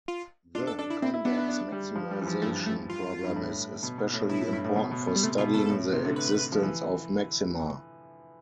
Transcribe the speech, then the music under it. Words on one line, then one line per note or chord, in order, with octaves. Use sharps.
The convex maximization problem is especially important for studying the existence of maxima.
F4
D4 F4
A4
D4 A4
E4
C4 E4
E4
B3 D4
E4
D4
G3
F3
G3
E3
F3
G2 A3
A3
F4
G2
A2
B2
B2
A2
A2 E4
A2
G2
A2
B2
B2
B2
G3
C3 A3
B2 F4
B2 A4
A2
C3
D3
B4
F3
E3